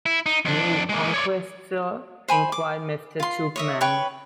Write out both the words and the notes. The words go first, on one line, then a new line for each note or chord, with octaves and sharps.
'Many conquests, sir?’ inquired Mr. Tupman.
E4
D#4
F2 D4
G#3 A#3
C#5 D5
C5 G#5 B5
D6
F4 C6
C#5 D#5 E5
B4 C#5 G5 C#6